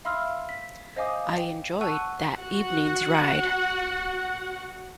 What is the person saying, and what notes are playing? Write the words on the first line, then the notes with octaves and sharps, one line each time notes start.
I enjoyed that evening’s ride.
E5 F5 B5 C6 E6 F6
B6
C5 D#5 F5 G#5 D6 D#6
G5
F#5 A5 C#6 E6 F#6 D#7
F#4 F#5